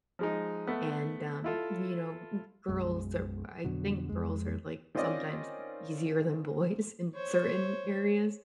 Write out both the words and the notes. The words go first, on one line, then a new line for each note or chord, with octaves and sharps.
and um, you know, girls are I think girls are, like, sometimes easier than boys in certain areas.
F3 G#3 D#4
A3 B3
E4 F4 A4
B1 F#2 G#3
F2 B2 D3 F#3
F2 G#3
D#3 C4 C#4 F4 D5 D#5
C5 C#5